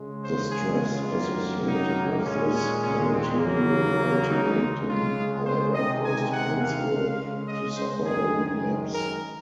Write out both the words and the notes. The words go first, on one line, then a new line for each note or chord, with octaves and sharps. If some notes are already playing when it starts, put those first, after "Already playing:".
The stress associated with this managerial ultimatum, however, caused Farnsworth to suffer a relapse.
Already playing: C#3 G#3
C5
G#4
F4
F#2 D#3 F#3 A#3
D#4
A#2 G#3 C#4
C#4
C#4
C4
C#3 F#3 A#3
D#4
C#3 G#3
F4
C5
C3 D#3 G#3 D#5
G#5
F#5
F5
C#3 G#3
D#5
C5
F#2 D#3 G#3 G#4
A#4